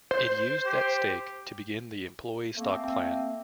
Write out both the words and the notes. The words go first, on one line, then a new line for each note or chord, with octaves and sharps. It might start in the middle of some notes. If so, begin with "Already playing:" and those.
It used that stake to begin the employee stock plan.
C5
G4
A3 A#3 C4